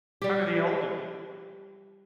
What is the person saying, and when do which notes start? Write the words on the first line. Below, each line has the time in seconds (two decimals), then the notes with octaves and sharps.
How did he hold it?
0.22 G3 G4